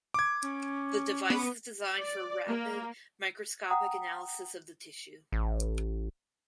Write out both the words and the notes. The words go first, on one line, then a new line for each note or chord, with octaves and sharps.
The device is designed for rapid microscopic analysis of the tissue.
D6 G#6
C#4
B3
D5
A#3
F#5 G5 A#5 D#6
A1